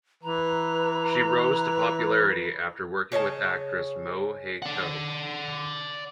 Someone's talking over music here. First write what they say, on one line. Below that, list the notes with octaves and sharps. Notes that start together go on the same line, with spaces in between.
She rose to popularity after working with actress Moe Hay Ko.
E3 B4 A#5
C#3 C#5 D#5 A5
D5 F#5